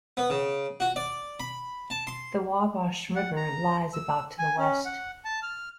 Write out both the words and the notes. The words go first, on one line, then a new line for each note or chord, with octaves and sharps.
The Wabash River lies about to the west.
B3
C#3
F#4
D5
B5
A5
C6
F#5
A#5
E6
G#5
C#4
F#5
A5
F6